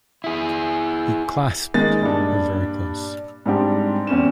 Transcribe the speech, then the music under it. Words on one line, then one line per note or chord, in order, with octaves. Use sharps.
He clasped her very close.
E4 G#4
D#3 G#3 A#3 A6
G2 A#2 D4
G#2 G3 C4 D4 G4
E2 C4 C#4 E7